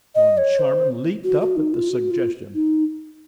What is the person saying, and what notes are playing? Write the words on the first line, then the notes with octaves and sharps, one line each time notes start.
Moncharmin leaped up at the suggestion.
D#5
C#5
C5
F#4
F#4
D#4
F4
F#4
F4
D#4